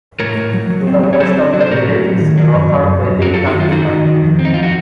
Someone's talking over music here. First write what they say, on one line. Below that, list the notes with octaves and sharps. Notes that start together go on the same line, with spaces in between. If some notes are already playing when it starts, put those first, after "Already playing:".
To the west of the village is Rother Valley Country Park.
A2 A#4 C#5
A2
F#3
F#3
C4
F#3
C#5
C4 A4 C5
F#3
F#3
C5
A2 F#4 A#4
F#3
A2
D#3
F#3
F#2
F#2
F#2
F#2
F#3 F#4 A#4
F4 A4
F#2
D#4 F#4
D#3
F4
D#3 D#4 F#4
D#3
D#3
F2
C4
D#4
F2 F4
F#4